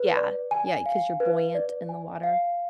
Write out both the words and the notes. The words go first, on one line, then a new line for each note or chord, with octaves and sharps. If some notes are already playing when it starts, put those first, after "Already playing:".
Yeah, yeah, 'cause you're buoyant in the water.
Already playing: B4
D5
G#5
F5
B4
D5
G#5
F5